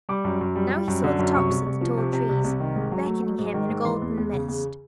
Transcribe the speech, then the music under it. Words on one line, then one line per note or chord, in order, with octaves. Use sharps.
Now he saw the tops of the tall trees beckoning him in a golden mist.
G3 D6
F#2
F#2
G3
G3
F#2
D3
F#2
C2 C#6
C2
C2
F3
C3
C3
C2
C2
D#3
G#2
F#3
A3
F#3
G#2
D#3
G#2
E3 C6
E2
E2
C#3
E2